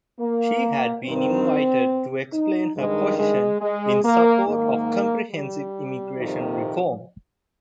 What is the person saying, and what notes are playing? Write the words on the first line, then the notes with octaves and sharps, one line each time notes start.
She had been invited to explain her position in support of comprehensive immigration reform.
A#3
G2 D#3 C4
D#4
G2 D#3 G#3
G#3
G#3
A#3
G#2 D#3 A#3
G3
F2 C3 D#3